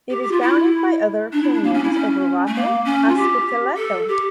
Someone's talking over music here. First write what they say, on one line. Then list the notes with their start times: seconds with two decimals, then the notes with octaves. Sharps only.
It is bounded by other communes of Rovato, Ospitaletto.
0.10 G4
0.23 G4
0.31 F4
0.41 E4
1.32 D4
1.43 E4
1.53 D4
1.64 A#3
1.74 C#4
1.84 E4
1.94 C#4
2.47 A3
2.54 A#3
2.85 C#4
3.08 F4
3.16 G4
3.77 A4
4.08 G4